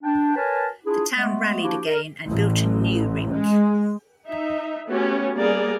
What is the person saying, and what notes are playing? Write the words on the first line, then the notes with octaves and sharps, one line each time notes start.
The town rallied again and built a new rink.
D4 G5
A#4 B4 C#5 G#5 A5
D4 E4 F4 G#4
G#3 A3 B3
F3 A#3 D4 E4 F#4 G4
A#4
A1
G#3
D#4 E5
A3 B3 C#4 F#4 G4
G3 A#3 B3 G#4 A#4 D5